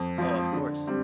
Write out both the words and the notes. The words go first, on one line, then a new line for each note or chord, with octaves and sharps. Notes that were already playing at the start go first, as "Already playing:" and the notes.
Oh, of course.
Already playing: F2
F3 C4
D3
G3 C4